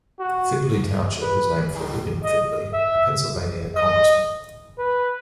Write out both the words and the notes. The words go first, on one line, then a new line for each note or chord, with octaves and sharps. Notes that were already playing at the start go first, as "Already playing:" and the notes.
Findley Township is named for William Findley, a Pennsylvania congressman.
F#4
B4
D#5
E5
D#5
B4